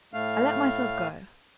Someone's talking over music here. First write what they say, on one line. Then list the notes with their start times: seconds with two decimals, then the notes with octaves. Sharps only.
I let myself go.
0.14 A2 A3 F5